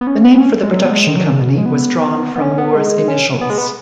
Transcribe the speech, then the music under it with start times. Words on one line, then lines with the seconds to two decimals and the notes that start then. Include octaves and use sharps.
The name for the production company was drawn from Moore's initials.
0.01 B3
0.07 C#4
0.23 B3
0.40 C#4
0.63 G#3
0.74 F#3
0.84 B3
0.91 G#3
1.07 D#3
1.16 F#3
1.24 D#3
1.32 C#3
1.41 B2
1.49 C#3
1.58 G#3
1.66 B3
2.36 B3
2.41 C#4
2.58 B3
2.75 G#3
3.08 C#4
3.41 B3
3.50 G#3
3.58 B3